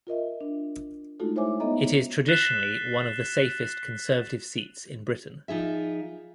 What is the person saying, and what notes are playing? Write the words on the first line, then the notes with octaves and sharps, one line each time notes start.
It is traditionally one of the safest Conservative seats in Britain.
F4 A#4 D#5 E5
D4
G#3 A3 D#4 F4 F#4 A4
E4 C5 C#5 E5 G#5 D6
B3 D#4 A4 D#5 E5 A#5
F#6 A6 B6 C7 E7 G7
F3 D#4 G#4 E5